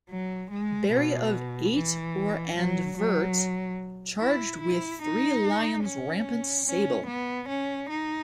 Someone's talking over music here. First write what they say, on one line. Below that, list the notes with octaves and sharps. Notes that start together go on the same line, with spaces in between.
Barry of eight or and vert, charged with three lions rampant sable.
F#3
G#3
B2
E3
F#3
F#3
E4
E4
D#4
C#4
C#4
B3
C#4
D#4